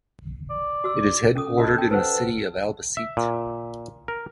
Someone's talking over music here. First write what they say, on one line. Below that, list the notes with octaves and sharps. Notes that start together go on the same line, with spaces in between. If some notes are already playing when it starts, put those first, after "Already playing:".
It is headquartered in the city of Albacete.
D5
F#4 E6
C#4 A4 D#6
F4 F#4 A4 D#5
G5
A4 B4 C5 F#5
E5
A#2
A#4